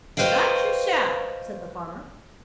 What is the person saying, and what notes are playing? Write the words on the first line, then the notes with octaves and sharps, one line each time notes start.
'That you shall,' said the farmer.
F#4 B4 C5 D#5 F5 G5